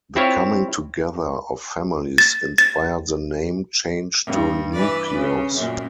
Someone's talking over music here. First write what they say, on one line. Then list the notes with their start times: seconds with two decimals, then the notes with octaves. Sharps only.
The coming together of families inspired the name change to Newcleus.
0.16 C4 E4 F4 C#5 F5
2.18 A6
2.58 A6
4.25 G2
4.73 E3 B4 D5
5.14 C#3
5.55 F#2 A#2